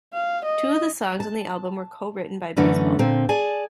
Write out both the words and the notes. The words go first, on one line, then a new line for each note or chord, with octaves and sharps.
Two of the songs on the album were co-written by Bisbal.
F5
D#5
A5
F#2 D3 E3 A3 C#4 D4
A#2 D3 C4
G#4 D5 G#5 A5